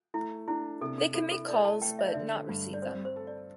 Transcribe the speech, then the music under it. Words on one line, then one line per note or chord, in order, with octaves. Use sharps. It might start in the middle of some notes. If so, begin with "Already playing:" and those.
They could make calls but not receive them.
A3 E4
D4 E4
C3 A4
A4
E4 A4
A4
A4 D5
A5
A3 G5
E5
D5
D3 E5
G2
D5
C4 C5
C5
A4
D5